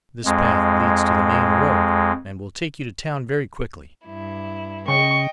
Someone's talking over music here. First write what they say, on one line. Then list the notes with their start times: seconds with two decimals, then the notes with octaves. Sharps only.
This path leads to the main road, and will take you to town very quickly.
0.25 F2 G#3
4.05 G2 E4
4.88 C#3 D#5 G5 C#6